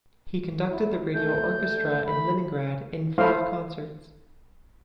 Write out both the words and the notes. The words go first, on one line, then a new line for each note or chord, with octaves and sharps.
He conducted the radio orchestra in Leningrad in five concerts.
E4
A3 G6
A3
B5
A3 E4 C5 F5